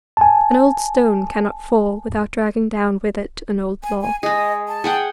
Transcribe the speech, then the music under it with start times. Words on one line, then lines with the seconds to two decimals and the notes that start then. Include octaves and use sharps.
An old stone cannot fall without dragging down with it an old law.
0.17 G#5 A5
3.83 G#5
4.01 G#5
4.23 G#3 G#4 D#5
4.68 A5
4.84 G#4 F#5 G5